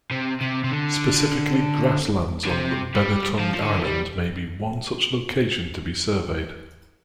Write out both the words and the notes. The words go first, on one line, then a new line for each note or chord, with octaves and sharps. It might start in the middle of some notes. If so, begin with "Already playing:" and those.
Specifically grasslands on Belitung Island may be one such location to be surveyed.
C3
C3
C3
D3
D3
C3
G3
F3
F3
D3
A3
G3